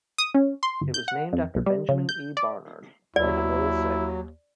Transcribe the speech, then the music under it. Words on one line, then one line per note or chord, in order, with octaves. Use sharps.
It was named after Benjamin E. Barnard, life loyal Sig.
D#6
C#4
C6
G1
G6
F#5
F2
B1
G3
C#3
G6
D5
D#2 F#3 E4 D5